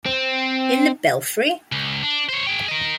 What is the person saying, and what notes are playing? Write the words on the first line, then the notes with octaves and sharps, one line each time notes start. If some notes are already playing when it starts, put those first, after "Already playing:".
In the belfry?!
C4
C#2
D4
C5 C#5
G#4 G5
A#4 D#5